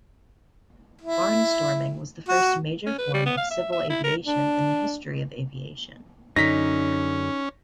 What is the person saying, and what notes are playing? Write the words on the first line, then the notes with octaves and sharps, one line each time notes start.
Barnstorming was the first major form of civil aviation in the history of aviation.
E4
F#4
C#4
B4
G3
B3
F5
E5
E5
E4
A#4
D4
F#2 D3 C#4 D#4 A#6 B6